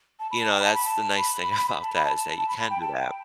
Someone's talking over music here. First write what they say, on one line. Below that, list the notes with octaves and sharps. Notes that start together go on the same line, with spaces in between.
you know, that's the nice thing about that is that you can do that.
A5
B5
A5
G5
B5
A5
B5
A5
B5
A5
B5
A5
A5
A5
B5
B5
G5
A5
G5